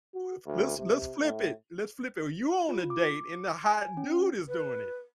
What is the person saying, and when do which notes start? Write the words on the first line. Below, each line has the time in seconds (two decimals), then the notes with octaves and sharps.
If Let's let's flip it, let's flip it, you on a date and the hot dude is doing it.
0.14 F#4
0.46 D2
0.77 C3
1.22 A2
2.69 F4
2.90 D6
3.64 G#5
3.97 C#4
4.48 B4